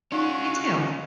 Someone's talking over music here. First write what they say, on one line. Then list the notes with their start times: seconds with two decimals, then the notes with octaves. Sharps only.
Me too.
0.12 C#4 D#4 F4 F#4 D5